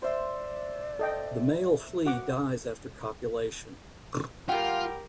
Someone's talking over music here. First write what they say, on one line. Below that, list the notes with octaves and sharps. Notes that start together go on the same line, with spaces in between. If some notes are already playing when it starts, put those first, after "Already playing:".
The male flea dies after copulation.
C5 D5 E5
A4 D#5 G5
F#4 F#5 D6
G2 F4 G4 A#4 F#5 G5